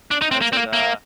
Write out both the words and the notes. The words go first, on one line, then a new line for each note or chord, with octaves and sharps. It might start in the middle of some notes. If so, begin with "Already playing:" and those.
Uh, is that, uh
D4
D#4
C4
A#3
C4
A#3
A#3